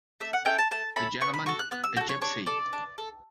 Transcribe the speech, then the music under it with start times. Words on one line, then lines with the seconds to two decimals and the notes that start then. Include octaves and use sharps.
A gentleman, a gipsy.
0.20 A3 E5
0.33 F#5
0.45 C#4 E4 A4 G5
0.58 A5
0.71 A3 A5
0.96 C#4 E4 A4 B5
1.21 B3 C#6
1.34 B5
1.46 F#4 A4 C#6
1.59 F#6
1.71 B3 F#6
1.84 E6
1.96 F#4 G5
2.01 A4
2.09 C#5
2.21 D4 C#5
2.46 A4 D5
2.73 D4
2.98 A4